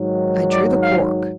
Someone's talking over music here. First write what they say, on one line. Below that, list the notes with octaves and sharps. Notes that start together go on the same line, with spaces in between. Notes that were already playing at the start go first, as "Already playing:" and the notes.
I drew the cork.
Already playing: G#2 D#3 F#3
D5
F5